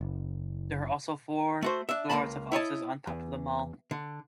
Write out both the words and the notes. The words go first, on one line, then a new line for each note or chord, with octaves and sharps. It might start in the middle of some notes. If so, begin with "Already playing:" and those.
There are also four floors of offices on top of the mall.
F#1
A3 F#4 C5
D4 E5
C#2 G#2 A#3 A5 B5
E4 C#5 D#5 A5
E2
D3